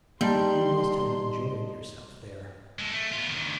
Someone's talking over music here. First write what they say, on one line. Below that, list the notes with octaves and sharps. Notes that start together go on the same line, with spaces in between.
You must have enjoyed yourself there.'
G3 A#3 D#4 A5 A#5 C6
G#3 A4
A3
B3 F4
D2 D#3